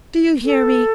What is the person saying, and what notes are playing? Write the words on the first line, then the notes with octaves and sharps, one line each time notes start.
Do you hear me?
A4